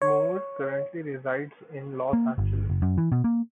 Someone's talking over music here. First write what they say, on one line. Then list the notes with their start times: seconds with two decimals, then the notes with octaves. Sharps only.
Moore currently resides in Los Angeles.
0.02 C#5
2.13 A#3
2.38 G1
2.70 F#1
2.82 F#2
2.98 E3
3.12 B2
3.24 A#3